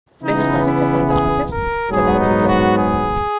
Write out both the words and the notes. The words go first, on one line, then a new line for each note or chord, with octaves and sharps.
They decided to find artists for their new game.
C#3 E3 B3 D#4
E4
G#4
A#4
G#2 F#3 B3 G#4
D#4
F#4
G#4